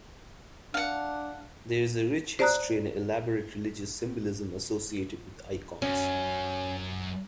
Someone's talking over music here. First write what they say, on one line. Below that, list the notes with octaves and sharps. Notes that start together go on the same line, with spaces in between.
There is a rich history and elaborate religious symbolism associated with icons.
D4 F5 F#5
C5 D5 A5 A#5 D#6 F#6
F#2 C#4